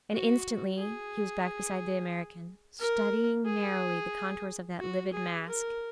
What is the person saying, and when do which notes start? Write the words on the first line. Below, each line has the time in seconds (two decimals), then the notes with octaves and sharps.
And instantly he was back beside the American, studying narrowly the contours of that livid mask.
0.12 F#4
0.79 G#4
2.79 A#4
3.46 G#4
4.80 F#4
5.13 G#4
5.47 A#4